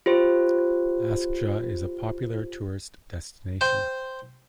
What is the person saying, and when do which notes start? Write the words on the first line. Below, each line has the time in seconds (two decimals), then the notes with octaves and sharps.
Askja is a popular tourist destination.
0.06 F4 G4 C5
3.61 C5 G5 C6